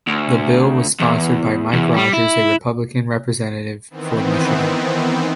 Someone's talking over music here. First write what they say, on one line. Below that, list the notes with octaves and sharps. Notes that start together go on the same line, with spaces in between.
The bill was sponsored by Mike Rogers, a republican representative for Michigan.
D2
E2
E2
G3
E4
D#3 E3 B3 C4